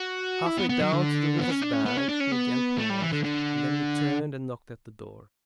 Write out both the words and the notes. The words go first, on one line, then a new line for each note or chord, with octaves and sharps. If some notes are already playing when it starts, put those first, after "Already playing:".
Halfway down to the river's bank he again paused, and then returned and knocked at the door.
Already playing: F#4
E4
B3
B3
F#3
D3
B3
C#4
D4
C#4
B3
C#4
D4
C#4
B3
A3
G3
E3
D3
D3